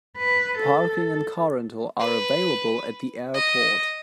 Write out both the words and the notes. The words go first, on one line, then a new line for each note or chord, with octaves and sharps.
Parking and car rental are available at the airport.
B4
A4
B4
D#5